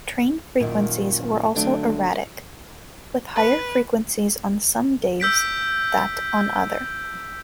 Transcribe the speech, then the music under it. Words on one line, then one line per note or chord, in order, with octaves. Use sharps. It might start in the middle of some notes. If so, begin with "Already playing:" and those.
Train frequencies were also erratic, with higher frequencies on some days that on other.
F#2 A#2 D#3 A#3
D3 F#3 A3 D4
B4
E6 G6 B6 D7